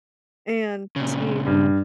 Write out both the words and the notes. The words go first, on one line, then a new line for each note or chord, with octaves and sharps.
and see
A#2 C#3
G2